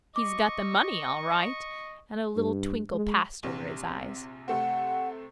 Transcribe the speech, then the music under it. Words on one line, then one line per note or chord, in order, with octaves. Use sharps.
"He's got the money, all right," and a little twinkle passed over his eyes.
D#5 C#6 D6
G2
G#3
A#1 C3
C3 A3 C4 F#5